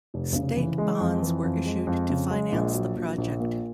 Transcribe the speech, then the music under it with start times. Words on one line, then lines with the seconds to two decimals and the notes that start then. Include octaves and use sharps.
State bonds were issued to finance the project.
0.14 F1
0.36 C#3
0.57 E3
0.78 G#3
1.01 F2
1.22 E3
1.43 F2
1.66 G#3
1.87 F2
2.10 C#3
2.31 G#3
2.52 A#1
2.74 F#3
2.96 A#1
3.18 A#1
3.40 A#2